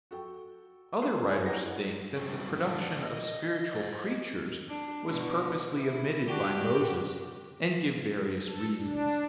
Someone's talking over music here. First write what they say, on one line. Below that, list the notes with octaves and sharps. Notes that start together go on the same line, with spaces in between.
Other writers think that the production of spiritual creatures was purposely omitted by Moses, and give various reasons.
F#4 A4 G5
G#4 B4 C5
G#4 C#5 G#5
E4 G4 D#5 F#5 A#5 A#6
G2 E3 F#3 C4 C#4
F3 G#3 D4 G4
D#5
C5 D#5
D4
B2 D3
E4
D4 F#4 G4
A4
D4